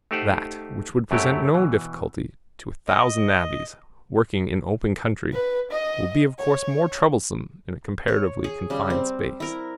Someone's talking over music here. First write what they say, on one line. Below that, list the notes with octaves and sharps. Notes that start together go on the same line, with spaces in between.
That which would present no difficulty to a thousand navvies working in open country will be of course more troublesome in a comparatively confined space.
A3 D#4 G4 C5 F#5
F#2 F#3 A3 C4 E4 G4
B2 E3
D#5
B4
D#5
C#5
C#5
G#4
C#3 G3
C4
E4 A#4